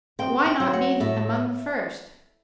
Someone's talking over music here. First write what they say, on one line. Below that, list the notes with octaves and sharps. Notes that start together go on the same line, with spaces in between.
But why not be among the first?
C4 G5
G5
F#3
F#5
A2 E5